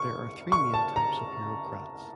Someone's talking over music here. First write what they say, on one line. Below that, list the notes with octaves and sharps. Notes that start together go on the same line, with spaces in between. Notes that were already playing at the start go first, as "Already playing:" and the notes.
There are three main types of Eurocrats.
Already playing: C#6
C#6
A5
A#5